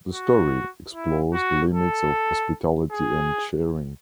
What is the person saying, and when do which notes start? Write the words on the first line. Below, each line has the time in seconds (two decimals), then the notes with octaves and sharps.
The story explores the limits of hospitality and sharing.
0.14 F#4
0.93 E4
1.33 F#4
1.72 A4
2.92 G#4